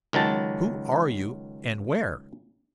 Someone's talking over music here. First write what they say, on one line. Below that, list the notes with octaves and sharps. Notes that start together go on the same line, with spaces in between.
"Who are you--and where?"
C#2 D#3 F#3 A5